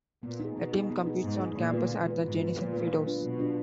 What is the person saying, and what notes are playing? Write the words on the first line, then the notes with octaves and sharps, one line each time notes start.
The team competes on campus at the Jenison Field House.
A#2 B3
D#4 G#4
B2 B3
D#4 G#4
B3
D#4 G#4
G#2 B3
D#4 G#4
A#2 D3
G#3 B3 F4 B4
D3
G#3 B3 F4 B4
G#2 D3
G#3 B3 F4 B4
A#2 D3
G#3 B3 F4 B4
F#3
D4 F4 B4
B2 F#3
D4 F4 B4